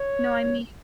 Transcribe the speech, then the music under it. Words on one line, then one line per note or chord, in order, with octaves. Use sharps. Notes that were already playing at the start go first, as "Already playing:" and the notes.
No, I mean
Already playing: C#5